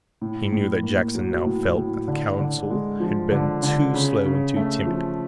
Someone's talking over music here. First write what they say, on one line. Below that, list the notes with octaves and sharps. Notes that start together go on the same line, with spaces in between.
He knew that Jackson now felt that the council had been too slow and too timid.
A2
A2
A#3
F#3
A2
A2
D3
D3
G#3
F3
D3
D3
C#3
C#3
A3
F3